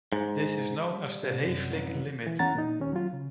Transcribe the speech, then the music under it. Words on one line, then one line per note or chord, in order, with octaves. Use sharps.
This is known as the Hayflick limit.
G#2
G3
C3
F#2
A1
E3
E2 C#4 F#5 A#5 A6
A#2 D#4
D#2 C#4
F#3 F4
C#3